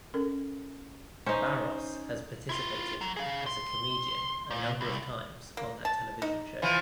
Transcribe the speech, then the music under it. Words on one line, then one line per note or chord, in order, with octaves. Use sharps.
Barros has participated as a comedian a number of times on that television show.
C#4 A4 A#4
C#4 D#4 C5
E4 F4
F#3
G#4 F5
C6
A#2
C2
A#3
A5
D#4
E3 F3